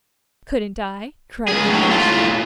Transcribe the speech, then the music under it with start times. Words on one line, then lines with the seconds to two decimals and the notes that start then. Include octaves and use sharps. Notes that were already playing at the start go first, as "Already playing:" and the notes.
"Couldn't I?" cried Anne rashly.
1.48 C#2 G#4
1.68 A2 F#3
1.90 A2 F4